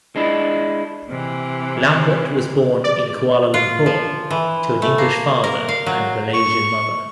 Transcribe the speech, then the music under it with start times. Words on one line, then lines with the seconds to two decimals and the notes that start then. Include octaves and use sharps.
Lambert was born in Kuala Lumpur to an English father and Malaysian mother.
0.16 G#3 D4 E4
1.08 C3 E3
2.84 D5
3.54 F4
3.86 F3
4.30 E3
4.82 A3
4.98 A#3
5.44 A#4
5.69 F5
5.86 F#3
6.33 C#6